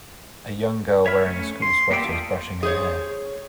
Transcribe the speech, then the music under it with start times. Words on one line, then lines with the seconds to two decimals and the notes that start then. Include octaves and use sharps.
A young girl wearing a school sweeter is brushing her hair.
1.06 C#5 E5 B5 F6
1.26 A3 C#4
1.62 C6
1.91 A#3 B3 G4 D5 E5
2.04 F4 A4 D#5
2.63 G#4 C5 C#5